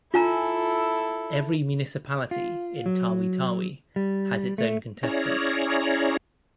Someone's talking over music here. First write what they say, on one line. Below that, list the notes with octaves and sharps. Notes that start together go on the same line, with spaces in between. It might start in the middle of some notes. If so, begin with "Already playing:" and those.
Every municipality in Tawi-Tawi has its own contestant.
E4 F4 A4 G#5 A#5
F4
F#3
G3
A3
C#4 E4 G#4 C#5 D5 A#5